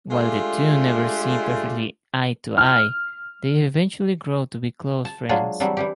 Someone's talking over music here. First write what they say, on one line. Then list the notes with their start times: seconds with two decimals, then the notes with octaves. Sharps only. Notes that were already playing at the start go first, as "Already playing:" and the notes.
While the two never see perfectly eye-to-eye, they eventually grow to be close friends.
0.10 G#3 A3 D4 F4 G4
2.58 F6
5.05 A5
5.29 F#3 G#3 D4 F4 G#4
5.60 E3 F#3 G3 C4 D4
5.77 E3 G3 G4